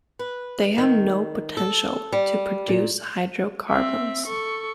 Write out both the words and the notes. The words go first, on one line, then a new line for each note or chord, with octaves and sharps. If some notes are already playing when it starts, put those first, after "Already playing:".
They have no potential to produce hydrocarbons.
B4
D#3
A4
G3
A#2
C4 E5
A4 C#6